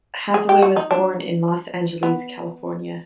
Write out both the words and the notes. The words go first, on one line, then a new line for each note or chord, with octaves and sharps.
Hathaway was born in Los Angeles, California.
G#4
G4
F#4
D#4
D4
B3